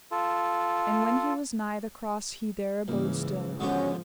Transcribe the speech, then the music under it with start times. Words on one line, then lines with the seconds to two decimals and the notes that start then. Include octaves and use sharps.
And when he was nigh the cross he there abode still.
0.11 F4 A4
2.88 C#2 G#2 C#3 E3 A#3
3.60 D3 F3 G#3 B3 C#4 F#4 G4